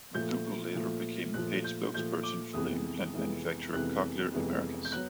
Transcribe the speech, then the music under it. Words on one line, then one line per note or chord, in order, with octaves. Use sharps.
McDougald later became a paid spokesperson for the implant manufacturer, Cochlear Americas.
A#2 F3 A3 G6
A#2 F3 A3
A#2 F3 A3 F#6
G6
A#2 F3 A3 G6
D6
F2 C3 E3 G#3 B3 D#6
F2 C3 E3 G#3 B3
F2 C3 E3 G#3 B3 F#6
F2 C3 E3 G#3 B3
G6
F#3 B3 F#6